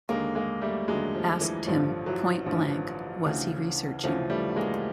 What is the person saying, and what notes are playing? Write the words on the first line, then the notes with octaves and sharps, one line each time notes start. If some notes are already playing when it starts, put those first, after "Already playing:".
Asked him, point-blank, was he researching.
D#2 D3 G#3 A#3
G#3 A#3
G3 A3
D#2 D3 F#3 G#3
F3
E3
A1 G2 D3 F3
E3 F#3
A1 G2 D3 F3
D2 C#3 E3
D2 C#3 E3 F3
G3 A3
A3
G#3 A#3